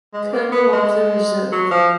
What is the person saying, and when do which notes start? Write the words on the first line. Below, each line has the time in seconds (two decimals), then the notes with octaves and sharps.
Colonel of the Reserve.
0.13 G#3
0.33 A#3
0.52 B3
0.73 G#3
1.52 F#3
1.71 F3